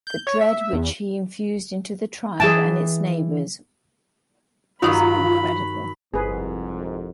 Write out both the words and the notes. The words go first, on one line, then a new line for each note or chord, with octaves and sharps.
The dread which he infused into the tribe and its neighbors was incredible.
G6
C#5
E5
E2
E3 G#4 G5 A5
G2 D#3 F#3 D#4 F4 B5 C#6
G1 C2 F2 G#2 G#4 B4